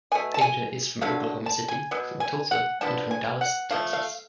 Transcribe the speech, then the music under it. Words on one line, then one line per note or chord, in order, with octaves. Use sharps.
Ada is from Oklahoma City, from Tulsa, and from Dallas, Texas.
B2 A3 G#5
A5
G#5
D3 F#3 A3 F5
A5
G#5
B2 F#3
G#5
F#5
D3 F3 B3 A5
G#5
F#5
F3 A3 F5
F5